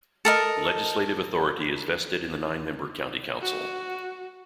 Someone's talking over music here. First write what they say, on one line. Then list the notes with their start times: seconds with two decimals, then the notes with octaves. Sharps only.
Legislative authority is vested in the nine-member county council.
0.25 A4 A#4 D#5
3.41 F#4